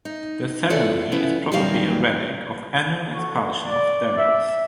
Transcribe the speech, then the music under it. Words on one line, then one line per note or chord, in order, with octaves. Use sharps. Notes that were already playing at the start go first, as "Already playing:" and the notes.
The ceremony is probably a relic of an annual expulsion of devils.
D#4
E4 F4 A4 C#5 D5 F#5
F3 B3 C#4 E4 B4
E2 A#2 D#3 F#3 G3 F5
F#4 A4 C#6
D5
E5